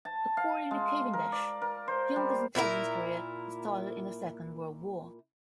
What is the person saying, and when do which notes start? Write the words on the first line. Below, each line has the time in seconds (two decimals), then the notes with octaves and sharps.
According to Cavendish, Young's intelligence career started in the Second World War.
0.05 A5
0.37 F5
0.71 G#3
1.13 A#4
1.32 D5
1.62 A#4
1.88 C5
2.16 G3
2.55 A#2 E4 F4 A#4